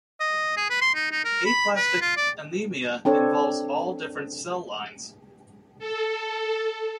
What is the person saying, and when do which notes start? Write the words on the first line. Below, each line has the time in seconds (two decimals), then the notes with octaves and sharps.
Aplastic anemia involves all different cell lines.
0.20 D#5
0.57 G#4
0.70 B4
0.82 C6
0.95 D#4
1.11 D#4
1.24 A#4
1.45 B5
1.76 B4
2.01 F4
2.16 D5
3.05 C4 D4 A4 C#5
5.79 A4